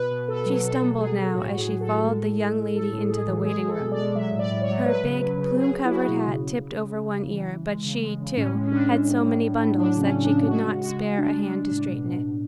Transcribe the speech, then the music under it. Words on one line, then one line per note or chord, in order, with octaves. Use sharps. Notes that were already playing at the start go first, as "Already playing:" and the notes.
She stumbled now as she followed the young lady into the waiting-room. Her big, plume-covered hat tipped over one ear, but she, too, had so many bundles, that she could not spare a hand to straighten it.
Already playing: B2 B4
B2
B2 A4
F#3
B2 A4
F#3
F#3 G#4
F#3
A2 F#4
A2
G#4
F#3
A4
A2
G#3
A2
G#3
A2
A2 A4
A2
G#3 G#4
E3
G#3 G#4
G#3
A4
B2
D5
G#3
F#3 E5
A2
D5
A2
C#5
F#3
F#3 B4
C#3
F#3
C#3
F#3 G#4
F#3
E4
F#3 F#4
B2
C#3
C#3
C#3
C#3
C#3
C#3
E3
E3
G#3
C#3
G#3
C#3
A2 C#4
G#3
C#4
A2 D4
G#3
A2
A2
A2
A2
F#3 D4
C#3
C#4
C#3
D4
C#3
G#3 F#4
C#3
G#3 F#4
C#3
G#3 D4
G#3
D4
G#3
D4
A2
B2
B2
B2